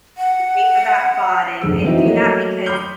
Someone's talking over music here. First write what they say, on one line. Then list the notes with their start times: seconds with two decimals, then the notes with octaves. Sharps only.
pay for that bot and and do that because
0.17 F#5
1.61 F1 B1 G2 F3 G#4 E6
1.83 E3 F3 C4 D#4 E4 F#4
2.03 F#3 A3 A#3 F#4 C#5 D#5
2.66 B5 C6 D6 D#6 F6 G6